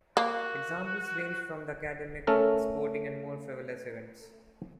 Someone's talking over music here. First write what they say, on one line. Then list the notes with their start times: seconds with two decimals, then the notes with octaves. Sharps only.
Examples range from the academic to sporting and more frivolous events.
0.17 A#3 F#4
2.27 A3 C#4 A4 A#4